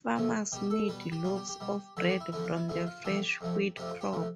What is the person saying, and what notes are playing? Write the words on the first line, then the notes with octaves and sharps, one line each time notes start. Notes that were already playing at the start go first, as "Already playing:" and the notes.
Farmers made loaves of bread from the fresh wheat crop.
E2 C3 F3 A3
B2 G3 G4
A4
B2 G3 B4
B4
G4
B2 G3 F4
G4
G4
B2 G3
E2 D3 F3 A3 A4
G4
E4
E2 D3 F3 A3 E4
F4
E4
E2 D3 F3 A3 E4
F4
E2 D3 F3 A3 G4
F2 C3 F3 A3
F2 C3 F3 A3 G4
F4
G4
C3 F3 A3